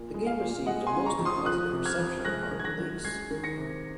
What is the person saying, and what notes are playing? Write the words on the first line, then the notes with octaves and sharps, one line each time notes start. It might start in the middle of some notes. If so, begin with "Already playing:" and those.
The game received a mostly positive reception upon release.
Already playing: A#2
G#3
F5
A#2
G#3 D#5 F#5
G#5 C6
C#3
A#5 C#6
F2
C6 D#6
F3 D#6 F#6
C3
F6 G#6
F2
G#3 F#6 A#6
D#3
G#6
F#6 A#6
F#2
G#3 G#6 C7
D#3
A#6 C#7
C3